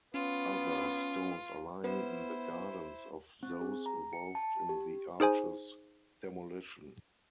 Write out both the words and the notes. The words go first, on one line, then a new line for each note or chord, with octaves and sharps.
Other stones are lying in the gardens of those involved in the arch's demolition.
B3 C#4 F4
B3 E4 B4 C5
C4
G#4
A#5
C#7
A5
G4
D#4 G#4 C5 G#5